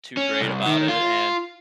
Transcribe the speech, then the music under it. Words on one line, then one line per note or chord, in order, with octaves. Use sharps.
too great about it, and
C#4
C2
D#3
F4